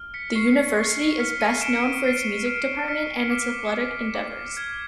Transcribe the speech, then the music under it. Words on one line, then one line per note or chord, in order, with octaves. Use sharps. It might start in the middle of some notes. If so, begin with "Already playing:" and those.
The University is best known for its music department and its athletic endeavors.
Already playing: F6
B6 C#7
C#6 C7
C#6
F6 B6 C#7
C#7 D#7
F6 D7 E7
C#7 D#7
F6 C7 D7
F6
F6 B6 C#7
D6
D6
D6
F6 G#6